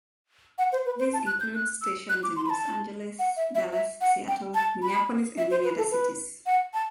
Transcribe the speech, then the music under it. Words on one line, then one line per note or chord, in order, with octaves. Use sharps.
These include stations in Los Angeles, Dallas, Seattle, Minneapolis and many other cities.
F#5
C5
B4
C5
A5
F#6
G6
F#6
E6
F#6
D6
C6
B5
A5
F#5
E5
E5
E5
F#5
G5
A5
B5
E5
C5
B4
A4
B4
F#5
A5